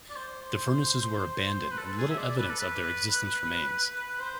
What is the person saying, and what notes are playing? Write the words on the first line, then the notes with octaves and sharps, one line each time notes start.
The furnaces were abandoned and little evidence of their existence remains.
D5
C5
B4
A4
G#4
E5
D5
B4
A4
B4
C5